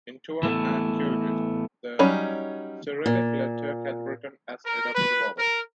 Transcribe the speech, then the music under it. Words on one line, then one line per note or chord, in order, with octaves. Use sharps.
In Tuvan and Kyrgyz the Cyrillic letter can be written as a double vowel.
E3 A3 B3
F#3 G3 C#4 D#4 B5
A#2
A#4
B4
A#4